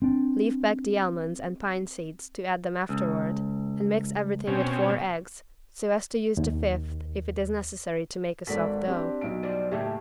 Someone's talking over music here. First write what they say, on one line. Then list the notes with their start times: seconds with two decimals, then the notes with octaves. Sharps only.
Leave back the almonds and pine-seeds to add them afterward, and mix everything with four eggs, so as to use the fifth if it is necessary to make a soft dough.
0.02 C4 D4
2.89 C#2
4.47 B2 C4 C#4
6.37 D#2
8.47 G#1 F#4 A4 D5 B6
8.87 C4 D4 G4
9.21 B1 D7
9.43 F3 G3 D4
9.71 D#2 A2 C#3 G4 E5